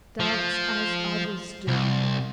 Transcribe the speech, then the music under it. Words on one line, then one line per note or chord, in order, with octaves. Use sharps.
Dance as others do.
F3
C2